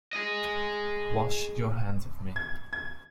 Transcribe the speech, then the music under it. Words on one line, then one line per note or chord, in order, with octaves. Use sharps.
Wash your hands of me.
G#4 D#5
G#6
G#6